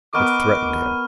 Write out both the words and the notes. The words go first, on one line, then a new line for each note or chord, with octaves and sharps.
It threatened him.
B3 A#4 D#5 C#6 D6 F6 D#7